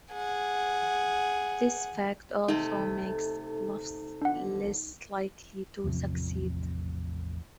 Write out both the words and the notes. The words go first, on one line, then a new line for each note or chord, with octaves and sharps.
This fact also makes bluffs less likely to succeed.
G#4 F#5
C3 A3 D#4 A4
B2 D3 F3 D4 F#5
A1 E2 C3 F3